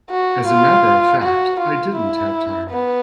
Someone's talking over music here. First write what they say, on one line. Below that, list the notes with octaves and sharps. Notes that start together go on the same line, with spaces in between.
As a matter of fact I didn't have time.
F#4
F4
F#4
F4
E4
B3